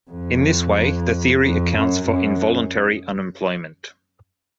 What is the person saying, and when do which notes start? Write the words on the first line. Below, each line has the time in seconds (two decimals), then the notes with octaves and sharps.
In this way, the theory accounts for involuntary unemployment.
0.11 F2
1.43 F2
1.75 F#2
2.09 F#2